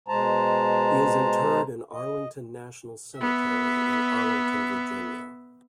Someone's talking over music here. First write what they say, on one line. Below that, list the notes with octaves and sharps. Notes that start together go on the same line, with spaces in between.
He is interred in Arlington National Cemetery in Arlington, Virginia.
B2 G#3 C5 A5 A#5
D#5
B3 E5